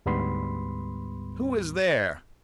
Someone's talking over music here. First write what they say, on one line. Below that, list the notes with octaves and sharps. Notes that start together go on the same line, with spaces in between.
Who is there?
D2 G#2 G3 B3 B5 C6